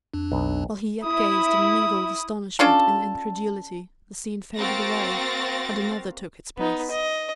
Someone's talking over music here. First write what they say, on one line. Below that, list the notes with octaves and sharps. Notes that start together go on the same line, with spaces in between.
While he yet gazed in mingled astonishment and incredulity, the scene faded away, and another took its place.
F2 D4
B1
E4 D#6
C#4 D4 F4 A4
A#3 C4 F#4 F5 A6 A#6
B3 D#4
D#5